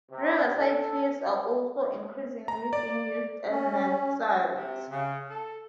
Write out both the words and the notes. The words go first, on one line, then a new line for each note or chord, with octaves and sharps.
Riverside cliffs are also increasingly being used as nest sites.
C3
A4
A#5
D5
C#4
C3
C#3
A4